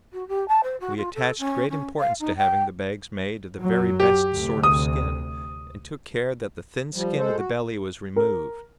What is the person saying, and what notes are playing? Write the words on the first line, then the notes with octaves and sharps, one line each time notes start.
We attached great importance to having the bags made of the very best sort of skin, and took care that the thin skin of the belly was removed.
F#4
G4
A5
C5
F#4
F4
A4
C#4
C#4
F5
D#4
G5
F#2 F#3
G4
D2 C3
D#6
F3 G3
G#3 A4 C5
F#4
A#4